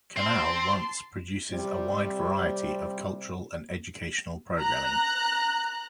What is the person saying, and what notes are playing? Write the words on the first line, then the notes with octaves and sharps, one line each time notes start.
Canal Once produces a wide variety of cultural and educational programming.
C4 A5 C6
C3 G3 C4
A#5 F#6